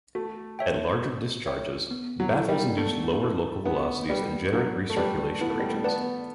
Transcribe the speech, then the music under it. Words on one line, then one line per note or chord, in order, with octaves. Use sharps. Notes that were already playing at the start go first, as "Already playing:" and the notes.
At larger discharges, baffles induce lower local velocities and generate recirculation regions.
A3 F#4
C#5 E5 G5
F#4
C#5 E5 G5
B3
F#3
E4 A4
G3
A3 B3
E4 A4
B3 D4
G3 G4 B4 D5
F#3 D4
A3
G3 G4 B4 D5
B3 E4
A3
G3
A3
B3 B4 D5 A5